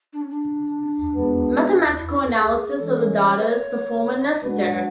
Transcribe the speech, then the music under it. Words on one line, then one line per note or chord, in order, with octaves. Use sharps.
Mathematical analysis of the data is performed when necessary.
D4
C#4
D4
B2 G#3 B3
E4
A4
G#4
E3 G#3 C#4 A4
C#5
B4
C#5
G#3 D4 F#4 B4
B4
B4